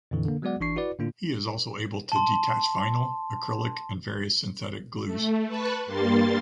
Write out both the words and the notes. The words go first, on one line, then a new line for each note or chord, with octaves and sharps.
He is also able to detach vinyl, acrylic and various synthetic glues.
F2 A#2 D3 E3
D3 A#3
F#3 G#3 B3 F#4 D5 F#5
G#1 E3 D4 C#6 C7
E4 F#4 B4 D5
A2 D3 A#3 D4 F4
A5 C6
A3
B4 A5 B5 C#6 F#6
G2 G3 A#3 C6 A6